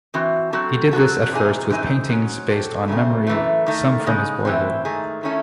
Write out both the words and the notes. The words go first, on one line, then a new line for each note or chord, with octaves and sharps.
He did this at first with paintings based on memory, some from his boyhood.
E3 C4 F#4
F#3 C4 F#4 A4
F#3 C4 F#4 A4
C3 E3 C4 D#4 G#4
F#2 E3 C4 D#4 G#4
G#2 F#3 C#4
C3 F#3 C4 F#4 A4
C#3 F#3 A3 C4
F#2 E3 A3
D#3 A3 D#4
C#3 G#3 D#4
A2 E3 C4
G#2 D#3 A3 D#4 G#4
D#3 A3 C#4 E4 A4